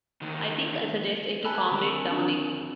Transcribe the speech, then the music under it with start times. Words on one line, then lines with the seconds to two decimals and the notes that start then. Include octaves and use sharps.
I think I'll suggest it to Comrade Downing.
0.21 D2 D#3
1.44 G#5 A5 B5 E6 F#6
1.72 D3 D#3 C4 A#4
2.12 D#3 D4